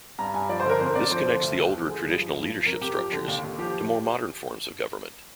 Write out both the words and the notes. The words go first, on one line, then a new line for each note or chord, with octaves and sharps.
This connects the older traditional leadership structures to more modern forms of government.
G2 A#5
G2 G#5
F3 D5
C5
D3 A#4
F2 C5
F2 D5
F3 C5
D3
D2
D2
F3
D3 G#4
G2
F3
G2
F3
F2 A#4
F2 G4
F3
D3
D#2
D#2
F3 G4